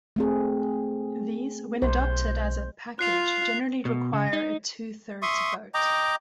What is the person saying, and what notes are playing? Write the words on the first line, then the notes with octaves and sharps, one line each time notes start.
These, when adopted as a "package" generally require a two-thirds vote.
A3 C4 G#4
B1 C5
F4 F5 F#6 C7 F7
B2
C#3
D#4
E5 C6 C#6 D#6
D#5 G5 A#5 D6